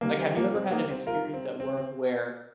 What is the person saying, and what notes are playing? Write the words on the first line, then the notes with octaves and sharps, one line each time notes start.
like, have you ever had an experience at work where
C3 D#3 G3 A#3
C4
A#3
C4
A#3 D#4
C4
F4 A#4
C4
C4
C4